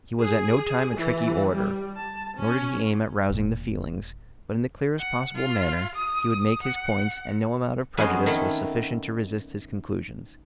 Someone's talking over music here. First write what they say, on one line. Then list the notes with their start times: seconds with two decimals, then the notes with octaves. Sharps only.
He was at no time a tricky orator, nor did he aim at rousing the feelings, but in the clearest possible manner he would make his points and no amount of prejudice was sufficient to resist his conclusions.
0.22 G#4
0.97 E3
1.54 G3
1.97 A5
2.37 C#4
3.30 E1 A#2
4.99 F#5
5.35 F4
5.95 D#6
6.63 F#5
7.97 F2 G#3 B3 C#4 F#4 C6
8.26 D#3 A3 E4